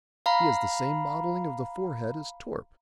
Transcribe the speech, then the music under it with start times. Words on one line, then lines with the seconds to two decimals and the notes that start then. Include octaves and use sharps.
He has the same modelling of the forehead as Torp.
0.26 F5 A#5 B5